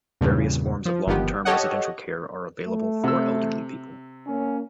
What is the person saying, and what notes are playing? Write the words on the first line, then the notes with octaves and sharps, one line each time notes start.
Various forms of long-term residential care are available for elderly people.
E2 G2 A#2 C#3
F3
G1 D#3 F3 B3 G4
G4 A4 C#5 D#5 F#5
A3
C3 E6
A#3 C#4